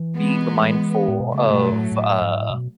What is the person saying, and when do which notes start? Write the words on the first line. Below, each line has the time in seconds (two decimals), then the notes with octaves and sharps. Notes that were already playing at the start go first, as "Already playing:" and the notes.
being mindful of uh
Already playing: E3
0.16 G#3 B3
1.08 A2
1.20 B2
1.33 C#3 F#3 A3
1.54 B2
1.72 A2
1.92 A2
2.21 G#2
2.42 A2
2.50 B2